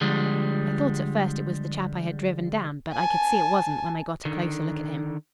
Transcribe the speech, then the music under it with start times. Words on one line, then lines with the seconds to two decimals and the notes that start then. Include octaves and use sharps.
I thought at first it was the chap I had driven down, but I could see it wasn't when I got a closer look at him.
0.01 D3 F3 G3 G#3
2.93 G#5 A5
4.25 D3 D#3